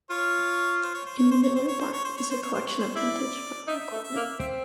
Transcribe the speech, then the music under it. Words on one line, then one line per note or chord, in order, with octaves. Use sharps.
In the Miller Barn is a collection of vintage farm equipment.
F4 C#5
C5
C#5
C5
C#5
C5
C#5
C5
C#5
C5
C#5
C5
C#5
C5
C#5
C5
C#5
C5
E4 D5
D#4 E5
A3
E5
A#3
C4 E5